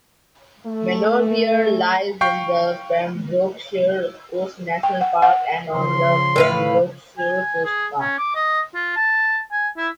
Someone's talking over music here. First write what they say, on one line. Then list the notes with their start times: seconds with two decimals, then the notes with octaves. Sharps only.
Manorbier lies in the Pembrokeshire Coast National Park and on the Pembrokeshire Coast Path.
0.66 A3
2.21 F5 G5 C#6 G6 C7
4.83 G5
5.01 F#5
5.22 F#5
5.73 C#3 F3 C6
6.36 A2 B4 F5
7.18 G#5
7.64 G#4
7.99 C#4
8.18 D6
8.35 D#5
8.74 F4
8.96 A5
9.52 G#5
9.77 E4